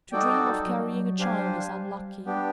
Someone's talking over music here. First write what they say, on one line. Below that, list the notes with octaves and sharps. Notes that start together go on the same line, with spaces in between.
To dream of carrying a child is unlucky.
G3 D#4 F#4 A4 D5 G5
F#3
G3 D4 G4 C5 F5 G#5
B3 D4 G4